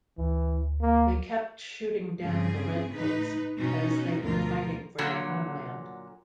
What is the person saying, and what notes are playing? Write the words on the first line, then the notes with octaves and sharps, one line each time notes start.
They kept shooting down the Red Coats, as they were fighting for their homeland.
D2 E3
A#3
G2 C#3 C4 G#4
A2 D#4 B4
B2 C#4 D#4 F#4
D2 B2 F3 F4 A#4
A#2 D3 F#3